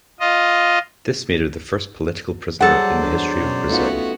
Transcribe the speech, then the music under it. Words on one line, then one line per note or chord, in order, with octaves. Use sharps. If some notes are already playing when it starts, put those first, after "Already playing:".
This made her the first political prisoner in the history of Brazil.
F4 D#5
F#3 G3 G#4 A4 C5 D5 F#5
E2 D4
F#2 B2 C#4
A3 B3 C#4 D#4 F4 F#4